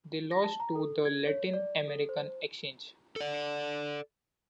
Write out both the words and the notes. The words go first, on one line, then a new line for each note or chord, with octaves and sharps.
They lost to the Latin American Xchange.
A#6
A5
A#5
A4
G#6
C#5
D5
A4
C5
A4 D5